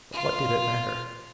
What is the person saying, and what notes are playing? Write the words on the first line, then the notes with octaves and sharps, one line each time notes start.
But what did it matter?
F4 F5